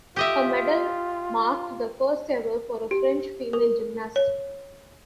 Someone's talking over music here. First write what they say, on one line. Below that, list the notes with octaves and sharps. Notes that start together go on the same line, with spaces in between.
Her medal marked the first ever for a French female gymnast.
F4 G4 D#5 E5
G4
A#4
C#5